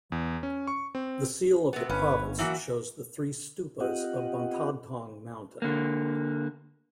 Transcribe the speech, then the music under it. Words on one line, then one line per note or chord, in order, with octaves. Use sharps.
The seal of the province shows the three stupas on Bantadthong Mountain.
E2
C#4
C#6
C4
C3 B3
G1 C#4 B4
E3 F#3 A#3 F#4
C4 F4 G4 D#5 F#5
D3 A#3